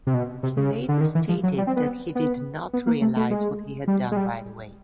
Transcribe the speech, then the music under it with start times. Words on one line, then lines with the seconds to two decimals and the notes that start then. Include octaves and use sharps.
He later stated that he did not realize what he had done right away.
0.07 C3
0.14 B2
0.43 C3
0.57 C#3
0.89 D3
1.01 D#3
1.15 E3
1.29 F3
1.43 F#3
1.58 G3
1.67 C4
1.76 B3
2.15 B3
2.73 B3
2.87 A#3
3.02 A3
3.16 A3
3.31 G#3
3.88 G3
4.12 G#3
4.17 G3